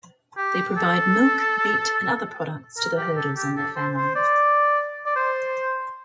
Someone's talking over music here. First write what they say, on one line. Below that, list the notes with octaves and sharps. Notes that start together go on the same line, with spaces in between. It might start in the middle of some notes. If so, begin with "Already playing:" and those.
They provide milk, meat and other products to the herders and their families.
G4
A4
A#4
G4
A4
G4
A4
C5
C5
D5
D5
C5